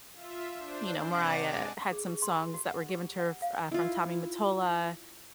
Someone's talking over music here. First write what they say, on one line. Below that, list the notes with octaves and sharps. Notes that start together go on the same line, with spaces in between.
you know, Mariah had some songs that were given to her, uh, from Tommy Mottola,
F4 E5
D4 C5
C3 D5 F#5 A5 D6 A#6
G#3 G#5
G#4
G4
C6
F#4
F#5
G4
F#5
F5
E4 F4